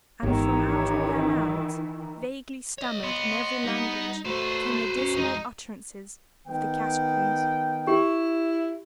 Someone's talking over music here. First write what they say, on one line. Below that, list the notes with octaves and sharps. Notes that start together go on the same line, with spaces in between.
And from out all their mouths, vaguely stammered in every language, came the dismal utterances of the catacombs.
G#1 G#2 D#3 E3 B3 E4 G4 C#5
C#5 D#5
B3 C6
G3 D#4
A3 F#4 B4 C5
C#4
F2 G#3 D#4
D#3 B3 G5
E4 G4